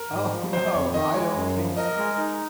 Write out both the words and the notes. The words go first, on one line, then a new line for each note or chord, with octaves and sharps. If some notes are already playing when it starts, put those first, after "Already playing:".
Oh, no, I don't think so!
Already playing: A#4
G#2
F3
F#3 C5
F2 C#5
D#3 D#5
G#3 C#5
F#2
F3
A#4 D#5
G#3
D#4